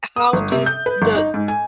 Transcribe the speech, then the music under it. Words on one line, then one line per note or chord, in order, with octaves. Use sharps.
how do the
D#6
G1
C3
G6
B4
G1
D#4
G#2
G#5